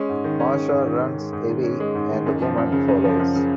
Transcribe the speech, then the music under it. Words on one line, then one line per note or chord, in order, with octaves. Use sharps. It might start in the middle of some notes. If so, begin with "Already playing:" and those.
Marsha runs away and the woman follows.
Already playing: G#3 C#4
G#2
D#3
C#4
G#3
G#2
D#3
C#4
G#3
G#2
D#3
C#4
G#3
G#2
D#3
F#2
F3
F#2
C#3
F#2
F3
F#2
C#3